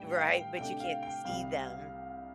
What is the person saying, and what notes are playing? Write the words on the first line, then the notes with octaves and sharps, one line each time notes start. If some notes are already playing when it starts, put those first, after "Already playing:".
Right, but you can't see them.
Already playing: A2 G3 D4 G5
F5
G5
C3 A3 D4 G5
F5
G5
C2 C3 G3 F5